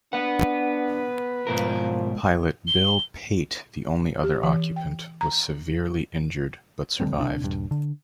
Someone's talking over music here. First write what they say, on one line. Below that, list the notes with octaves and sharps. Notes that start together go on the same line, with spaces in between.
Pilot Bill Pate, the only other occupant, was severely injured but survived.
B3 D4 B4 F#5
G#2 B2 F3 A#4
G7
G4
E3
G5
A#5
D3 G3 A3 C4
D2 C3 D4
D#1 G2
D3